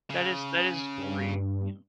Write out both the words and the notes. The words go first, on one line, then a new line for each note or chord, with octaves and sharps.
That is that is pretty, you know
C#3
G2